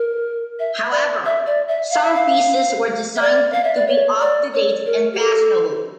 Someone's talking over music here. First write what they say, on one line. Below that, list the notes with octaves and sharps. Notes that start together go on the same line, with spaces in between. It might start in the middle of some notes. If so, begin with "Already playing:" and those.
However, some pieces were designed to be up to date and fashionable.
Already playing: A#4
E5
D5
E5
D5
E5
F5
E5
F5
E5
D5
F5
E5
D5
C#5
D5
C#5
A#4
G4
A4